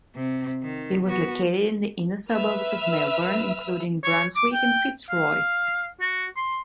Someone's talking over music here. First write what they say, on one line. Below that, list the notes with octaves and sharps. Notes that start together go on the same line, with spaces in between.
It was located in the inner suburbs of Melbourne, including Brunswick and Fitzroy.
C3
D#3
B3 F#4
B4 E5 E6 F6
C#5
D6
G5
F5
F#4
C6